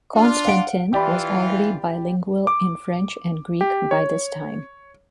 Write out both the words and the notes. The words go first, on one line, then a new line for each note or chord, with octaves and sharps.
Constantin was already bilingual in French and Greek by this time.
D4 F4
F5 F#5 D7
E3 F4 G4 D5 B5
D6
G4
C#5